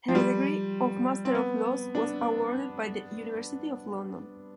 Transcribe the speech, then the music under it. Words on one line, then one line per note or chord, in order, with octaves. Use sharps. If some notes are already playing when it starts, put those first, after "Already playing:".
Her degree of Master of Laws was awarded by the University of London.
F3
G3
C4
B3
D4